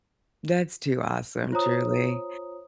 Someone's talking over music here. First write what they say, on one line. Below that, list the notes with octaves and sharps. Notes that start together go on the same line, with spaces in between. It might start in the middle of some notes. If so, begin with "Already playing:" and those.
That's too awesome, truly.
F4 C5 C#5 A#5 D#6